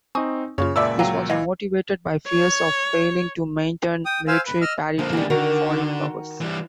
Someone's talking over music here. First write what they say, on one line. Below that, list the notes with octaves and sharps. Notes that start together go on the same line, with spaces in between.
This was motivated by fears of failing to maintain military parity with foreign powers.
C4 D#4 G#5 C#6 D#6
F#2 C#3 A#3 F4 C#5
C#2 A#2 D5 E5 A5 B5 E6
F#3 F5 G5
E3 D#5 F5
C#5
G5 D#6
C5 F5 G#5 E6
B4
D#5 E6 F6
D3 F3 A#3
E2 G3
D3 D#3 F#4 A#4
E3 G3